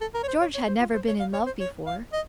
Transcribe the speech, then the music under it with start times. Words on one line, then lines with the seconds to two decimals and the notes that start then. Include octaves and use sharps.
George had never been in love before.
0.01 A4
0.14 A#4
0.23 C#5
0.28 C5
0.41 C#5
0.54 C#5
0.68 C5
0.80 F4
0.94 C5
1.08 C#5
1.20 F5
1.33 C#5
1.46 C5
1.60 C#5
1.87 F5
2.12 D#5